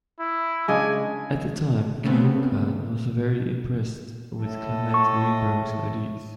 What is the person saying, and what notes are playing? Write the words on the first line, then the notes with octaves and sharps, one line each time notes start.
At the time, Kiyooka was very impressed with Clement Greenberg's ideas.
E4
C#3 G#3 D4 G#5
C#3 A3 B3 C4
A2 A4 D#5
C#6